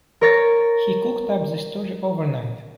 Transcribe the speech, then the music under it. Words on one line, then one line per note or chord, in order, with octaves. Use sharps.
He cooked up the story overnight.
A#4 C#5 A6